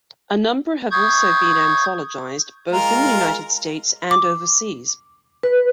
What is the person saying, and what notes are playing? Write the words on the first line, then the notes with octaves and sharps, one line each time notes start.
A number have also been anthologized, both in the United States and overseas.
C#6 D#6 G6 G#6
G#3 F4 A#4 A#5
D6
B4